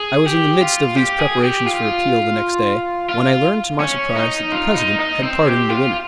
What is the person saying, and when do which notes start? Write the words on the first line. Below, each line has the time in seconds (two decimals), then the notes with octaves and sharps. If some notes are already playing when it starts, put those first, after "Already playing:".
I was in the midst of these preparations for appeal the next day when I learned to my surprise that the President had pardoned the women.
Already playing: G#4
0.26 G4
0.61 F4
0.97 G4
1.20 G#4
1.44 G4
1.67 F4
3.09 F4
3.80 C#4
4.16 D#4
4.51 F4
4.75 D#4
5.00 D#4
5.23 C4
5.46 G4
5.70 F4